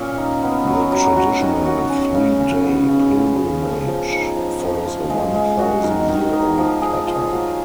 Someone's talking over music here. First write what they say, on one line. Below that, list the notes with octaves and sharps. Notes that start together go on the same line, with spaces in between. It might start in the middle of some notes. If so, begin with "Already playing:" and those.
The traditional three-day pilgrimage follows a one-thousand-year-old pattern.
Already playing: A#2 C#4
D#4
B3
F#3
F#3
F#4
D#3
F#4
C#4
C#3
C#3
B3
C#3
F4
C#4
F3
F3
D#4
F3
F3
F4
G#3
G#3
F#4
D#3
D#3
D#4
F3
G#4
F4
F#3